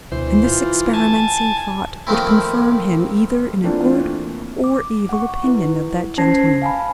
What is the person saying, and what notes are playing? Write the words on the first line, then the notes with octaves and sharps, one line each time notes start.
And this experiments he thought, would confirm him either in a good or evil opinion of that gentleman.
D2 B2 E3 C5
F4
G#5 A5
D#3 F3 A3 A#3 C4 E4
E3 A3 A#3 C4 D4 F4
D6
F#5 C#6
E4 B4
C#4 C5 A5 G#6 A#6 C7
F5 G#5 A5 B5